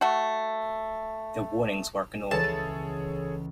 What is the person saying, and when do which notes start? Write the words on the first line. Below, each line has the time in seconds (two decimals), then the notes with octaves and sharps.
The warnings were ignored.
0.01 A3 F#4
2.31 C#2 E3 G#4 A4 C#5 A5